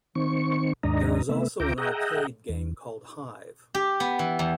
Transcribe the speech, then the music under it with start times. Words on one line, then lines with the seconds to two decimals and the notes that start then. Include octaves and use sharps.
There is also an arcade game called Hive!
0.15 D#3 C4 C#6
0.83 D#2 G#2 D4 D#5 A#5
1.29 C3 A3 B3 E5
1.60 D2 F4 E5 G5 A#5 D6
1.78 G#4 D#5 E5 F#5 G5 A#5
2.49 E2
3.75 G4
4.00 B3
4.19 E3
4.39 E2